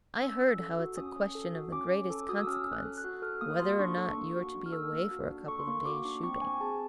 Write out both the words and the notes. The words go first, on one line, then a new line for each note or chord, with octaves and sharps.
I heard how it's a question of the greatest consequence, whether or not you're to be away for a couple of days' shooting.
C#4 E6
C#4
A4
F#4
C#4 D#6
C#4
A4
F#4
C#4 D6
C#4
A4
F#4 D#6
E6
C#4 F6
C#4
F#6
A4
F#6
F#4
A4 F6
A#3 D#6
F#4 C6
D4 C#6
A4
A#3
F#4
D4
F6
A4 E6
A#3
F#4
D4
A4 C#6
C6
A#3 C#6
F#4 D6
D4
C4 C#6
C4 G#5
G#4 A5